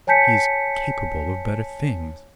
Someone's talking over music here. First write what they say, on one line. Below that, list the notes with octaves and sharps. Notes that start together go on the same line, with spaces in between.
He is capable of better things.
C#5 G#5 A5 G6 B6 C#7